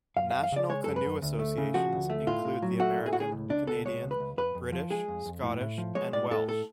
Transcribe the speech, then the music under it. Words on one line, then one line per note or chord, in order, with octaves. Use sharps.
National canoe associations include the American, Canadian, British, Scottish, and Welsh.
F#2 F5
F5
F#2
F5
C#3 D5
G#3 C#5
F#2 A4
B4
F#2
D2
A3
C#3
F3 F#4
D2
A3
A2 F4
A2
F#3
A3 F#4
A2
G#4
A2 F#4
G#4
C#2
C#2 D4
B2 A4
G#3 C#5
C#2
B4
C#2
F2 B4
F2
F3
G#3 G#4
F2
F2
A2
A2
F3
G#3 C#5
A2 D5
A2 A4
A4